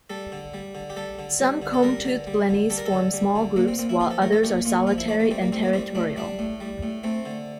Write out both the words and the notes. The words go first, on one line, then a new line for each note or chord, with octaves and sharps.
Some combtooth blennies form small groups, while others are solitary and territorial.
G3 A4
D3
G3
D3
G4
G3 A4
D3
G3
D3
A4
G3 A#4
D3
G3
D3
G3 A4
A#4
A4
D3
G3
D3
A#2 A#3
C4
A#2 C4
E4
F3 F4
A4
A3 A#4
A4
A#2 G4
A#2 F4
F3 F4
E4
A3 D4
A#3
G3 C4
A#3
A2 C4
A#3
G3 C4
A2 D4
G3 D4
A2
G3
A2
A3 C4
D3